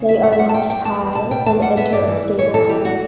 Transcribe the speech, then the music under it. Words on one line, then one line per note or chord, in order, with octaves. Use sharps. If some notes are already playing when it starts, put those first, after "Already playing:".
They are launched high, and enter a stable hover.
Already playing: C#3
E2 E5
G3 F#5
E5
G3 F#5
A5
G3 G5
G3 G5
E2 A5
E2
B2 A5
B2 G5
E2 A5
G3 F#5
B3 E5
G2 D5
E3
E3
E3 C#5
E3 A4
E3 G4
F#4